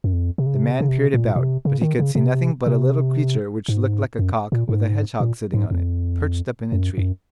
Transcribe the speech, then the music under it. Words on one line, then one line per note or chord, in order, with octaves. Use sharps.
The man peered about, but he could see nothing but a little creature which looked like a cock with a hedgehog sitting on it, perched up in a tree.
F#2
F2
C3
C#3
C3
C#3
C3
C#3
C3
A#2
A#2
C3
C#3
D#3
C#3
C3
C3
G#2
F#2
A#2
G#2
A#2
G#2
F2
F#2
F#2